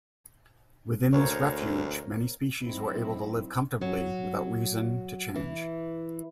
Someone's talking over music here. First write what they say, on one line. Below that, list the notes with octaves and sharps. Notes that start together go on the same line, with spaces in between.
Within this refuge many species were able to live comfortably without reason to change.
D2 A#4 C5 C#5
F#3 C4 D#4 E4
F#3
E3